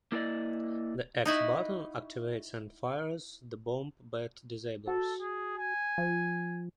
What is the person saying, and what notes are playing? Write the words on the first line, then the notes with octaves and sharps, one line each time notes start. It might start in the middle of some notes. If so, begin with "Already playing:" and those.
The X button activates and fires the bomb bat disablers.
A#3 E4 A4 A#4 D5 D#5
D#4 E4 F#4
F#4 A4
G#4
G#5
F3